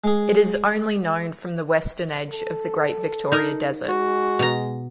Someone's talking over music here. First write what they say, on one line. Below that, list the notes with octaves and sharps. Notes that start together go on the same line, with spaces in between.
It is only known from the western edge of the Great Victoria Desert.
G#3 G#4
A4
D#4 A#4
G#3 F#4
B2 A#5